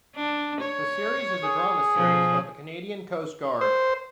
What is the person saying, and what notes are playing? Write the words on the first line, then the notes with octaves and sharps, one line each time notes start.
The series is a drama series about the Canadian Coast Guard.
D4
C#5
G#4
B2 F3
C5